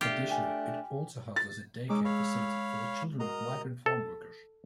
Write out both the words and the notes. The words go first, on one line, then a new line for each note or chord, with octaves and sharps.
Additionally, it also houses a day-care facility for the children of migrant farm workers.
A3 D4 F4 G4
G5 G#5
A6
G#3 C#4 D#4 D6 E6
C#5 F5 B5
F#4 A#4 D#5 F5 A#5
A4